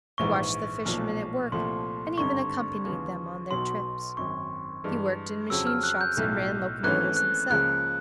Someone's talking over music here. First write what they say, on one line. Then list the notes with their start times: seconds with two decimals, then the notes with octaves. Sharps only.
He watched the fishermen at work and even accompanied them on their trips; he worked in machine-shops and ran locomotives himself.
0.18 A#1 G#2 E3 C#6
0.85 B1 A#2 F3
1.52 C2 A#2 F3 A3 C6
2.18 G#1 G2 D3 C#6
2.84 D#2 C#3 E3 G#3
3.51 B1 B2 F#3 C6
4.17 G#1 F#2 D#3 C#6
4.84 G2 E3 G#3
5.50 F2 C#3 F#3 E6
5.67 F6
5.83 F#6
6.01 G6
6.17 B1 A2 F#3
6.83 G#1 G#2 E3 A3 C#4 F#6
7.16 F#6
7.50 C#2 C#3 F3 A#3 F#6